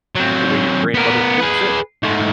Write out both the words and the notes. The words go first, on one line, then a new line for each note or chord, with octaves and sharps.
the way your grandmother cooks it?
F#3 C4
B3 A#4
G#4 B4
G#2 A3